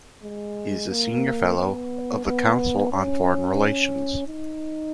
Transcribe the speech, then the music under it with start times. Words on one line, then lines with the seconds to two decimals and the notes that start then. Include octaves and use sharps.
He is a Senior Fellow of the Council on Foreign Relations.
0.23 G#3
0.90 A#3
1.57 B3
2.25 B3
2.92 C#4
4.27 D#4